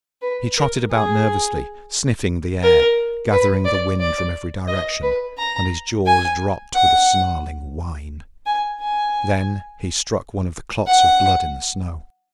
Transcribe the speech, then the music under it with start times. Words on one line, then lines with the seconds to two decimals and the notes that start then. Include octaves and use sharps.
He trotted about nervously, sniffing the air, gathering the wind from every direction, and his jaws dropped with a snarling whine. Then he struck one of the clots of blood in the snow.
0.22 B4
0.56 A#4
0.91 G#4
2.63 A#4
3.31 B4
3.65 D5
4.00 D5
4.68 D#5
5.02 B4
5.37 A#5
6.06 G#5
6.75 F#5
8.46 G#5
8.81 G#5
10.86 F#5